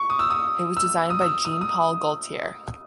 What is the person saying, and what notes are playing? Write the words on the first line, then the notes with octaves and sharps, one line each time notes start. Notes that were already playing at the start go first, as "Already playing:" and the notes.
It was designed by Jean Paul Gaultier.
Already playing: C#6
D#6
E6
D#6
E6
D#6
E6
D#6
D#6